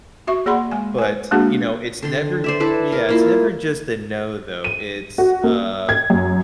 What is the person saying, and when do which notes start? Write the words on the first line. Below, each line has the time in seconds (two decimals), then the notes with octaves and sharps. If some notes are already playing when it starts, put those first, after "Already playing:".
But, you know, it's never yeah, it's never just a "no," though. It's, uh
0.27 F#4 E5 C#6
0.46 A#3 G#4 D5 F#5 B5 C6
0.71 G#3 G#5
0.99 B4 G#5
1.31 G#3 A#3 D4 F#4 G#4
2.03 D3 G5 C6
2.44 C5 D5 E5
2.60 E4 A4 B4 D5
2.92 A#4
3.09 A#3 E4 F4
4.64 D#7
5.18 F#4
5.44 A#3
5.89 G#6
6.10 F#2